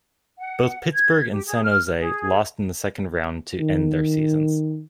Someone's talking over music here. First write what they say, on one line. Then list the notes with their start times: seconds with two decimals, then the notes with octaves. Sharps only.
Both Pittsburgh and San Jose lost in the second round to end their seasons.
0.37 F#5
0.93 G#6
1.31 G4
1.46 G#4
1.63 F6
1.99 G#4
3.60 D#3